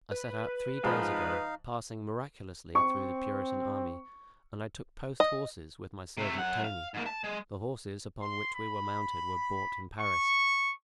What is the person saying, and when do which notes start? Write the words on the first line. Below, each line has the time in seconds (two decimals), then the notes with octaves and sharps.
I set out three days ago, passing miraculously through the Puritan army, and I took post horses with my servant Tony; the horses upon which we were mounted were bought in Paris.
0.11 B4
0.84 G#2 F3 D#4 F5 B5
2.75 C4 C#6
5.20 D#5
6.17 C3 A3
6.37 F#2 F#5
6.64 F5
6.94 G#2 A#3
7.06 A5
7.24 G#3
8.21 C6
8.55 B5
10.00 C#6